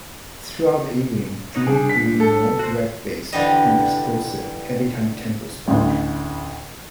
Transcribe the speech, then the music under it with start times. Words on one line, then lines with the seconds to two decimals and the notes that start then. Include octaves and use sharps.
Throughout the evening Drew grew more red-faced and explosive, every time Temple spoke.
1.55 B3 D#4 C#5
1.67 G3 D4 G#4
1.89 B6
2.20 A4
2.59 F#4 C5
3.32 D3 E3 G3 D#5
5.68 A1 D2